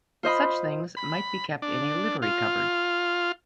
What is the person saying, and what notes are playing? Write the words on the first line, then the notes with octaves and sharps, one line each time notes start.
Such things might be kept in a "livery cupboard".
F4 C5 D#5 B5
B5
D4
F4